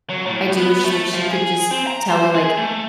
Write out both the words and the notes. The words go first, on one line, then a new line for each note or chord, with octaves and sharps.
I do wish that she could just tell me, like
F#3
A2
B3
A3
F3
G#4
C4
A#5
C5
G#4
A3